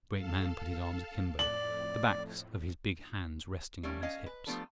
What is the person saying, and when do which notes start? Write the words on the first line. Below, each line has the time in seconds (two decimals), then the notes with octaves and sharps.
The great man put his arms akimbo, the backs of his big hands resting on his hips.
0.13 A4 F5 A5
1.39 F2 A2 D5 F#7
3.83 G3 A3 A#3 C#4
4.03 C#4 D#5 F5 G#5
4.26 B4
4.47 F3 G3 A3 B3 D4 A4